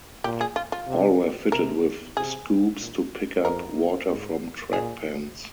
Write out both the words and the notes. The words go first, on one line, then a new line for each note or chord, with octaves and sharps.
All were fitted with scoops to pick up water from track pans.
A#2 G4
G#4
F4
F4
C3
C3 A#4
C3 G#4
A#2
F2 A#4
G#2
A#2 G#4